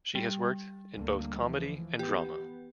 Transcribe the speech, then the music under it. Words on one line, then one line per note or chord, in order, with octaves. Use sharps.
She has worked in both comedy and drama.
G3
D2 D3 A#3
E3 F3
B3 G4